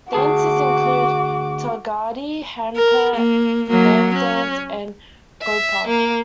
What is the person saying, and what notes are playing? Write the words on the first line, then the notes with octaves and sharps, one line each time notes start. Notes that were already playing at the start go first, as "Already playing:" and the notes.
Dances include "Talgadi", "Hanpet", Lamp Dance and "Gopha".
D2 F#4 G#4 A5 D6
A#4
A#3
F#3 A#3
C#4
E5
A#3